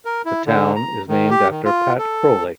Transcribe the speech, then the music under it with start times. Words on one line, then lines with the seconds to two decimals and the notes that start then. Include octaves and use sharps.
The town is named after Pat Crowley.
0.05 A#4
0.25 E4
0.46 D3
0.76 A#5
1.08 D#3
1.30 G4
1.51 D#3
1.65 F4
1.98 A4